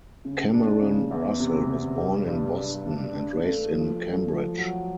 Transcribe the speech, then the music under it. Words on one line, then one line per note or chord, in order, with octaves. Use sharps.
Cameron Russell was born in Boston, and raised in Cambridge.
C#3
D4
C#3
E2
C3
C3
G2
G2
G2
D4
D4
A3
F3
A3
F3
F#3